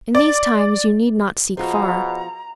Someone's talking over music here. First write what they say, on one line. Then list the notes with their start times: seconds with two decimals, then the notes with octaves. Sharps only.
In these times you need not seek far.
0.15 D5
1.57 B2 F3 F4 F#4 G#4 C5 A#5